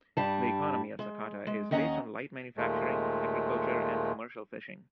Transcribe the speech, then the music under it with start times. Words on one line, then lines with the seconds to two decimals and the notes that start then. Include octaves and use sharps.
The economy of Sakata is based on light manufacturing, agriculture and commercial fishing.
0.17 G2 G3 A5
0.99 G#3
1.47 G#3
1.71 D#2 C#4 D#5 F#5 G#5 A#5
2.57 D#2 A#2 G#3 A3